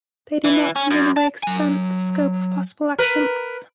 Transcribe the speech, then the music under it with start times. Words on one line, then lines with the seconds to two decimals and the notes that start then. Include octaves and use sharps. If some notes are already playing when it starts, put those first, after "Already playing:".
They do not in any way extend the scope of possible actions.
0.45 E3
0.76 C#4
0.91 F#2
1.17 A5
1.43 F#3 G#5
2.99 A#4 B4